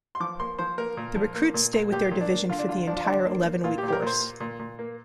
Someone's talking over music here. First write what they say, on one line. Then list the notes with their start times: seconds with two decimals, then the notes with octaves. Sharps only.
The recruits stay with their division for the entire eleven-week course.
0.15 C6
0.20 F3 D6
0.40 A#3 C6
0.59 F3 C5
0.78 A#3 A#4
0.97 A#2
1.15 F3
1.35 A#3
1.54 A#2
1.73 A#2
1.92 A#2 G4
2.11 A#2
2.21 D4
2.30 A#3
2.49 D3 F4
2.59 D4
2.69 D3 F4
2.87 F3 D4
2.96 F4
3.05 D3 D4
3.25 A#3
3.45 A#3
3.64 A#2 F4
3.78 G4
3.83 A#2
3.88 G4
3.93 A#4
4.02 A#2 C5
4.21 A#3
4.40 A#2
4.59 A#2
4.79 A#3